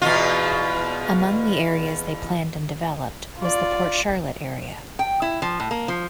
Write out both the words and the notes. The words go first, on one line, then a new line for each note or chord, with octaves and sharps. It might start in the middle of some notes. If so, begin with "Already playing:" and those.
Among the areas they planned and developed was the Port Charlotte area.
E2 B2 F4
F4 D5
G5
E4
F3
A2
A#3
F3